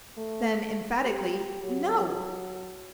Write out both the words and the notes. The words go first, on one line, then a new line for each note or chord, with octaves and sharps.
Then, emphatically, "No!"
A3
G4
F#3